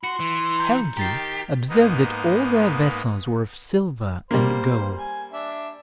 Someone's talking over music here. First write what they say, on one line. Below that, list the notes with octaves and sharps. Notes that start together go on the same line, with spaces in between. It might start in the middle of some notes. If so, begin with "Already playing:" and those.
Helgi observed that all their vessels were of silver and gold.
F#4 C6 C#7
E3
A#5 G6
D#3 G4 A#5 A6 C7
G#2 A#3 B3 D#4
G3 A#3 C5
G#5
D4 E5